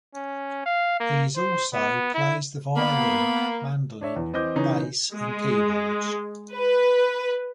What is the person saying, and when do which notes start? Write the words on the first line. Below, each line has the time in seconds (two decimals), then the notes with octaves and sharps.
He is also plays the violin, mandolin, bass and keyboards.
0.15 C#4
0.66 F5
1.00 A#3
1.36 C5
1.74 B3
2.14 E4
2.77 A#3 B3 B5
4.01 D4 C#5 E5
4.16 E2
4.33 E3 C4 D#5 D6 G6
4.56 C#3 E3 D#4 C#5
5.13 G#3
6.55 B4